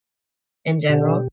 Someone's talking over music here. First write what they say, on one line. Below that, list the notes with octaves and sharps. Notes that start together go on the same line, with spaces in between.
in general,
B2 D3 G4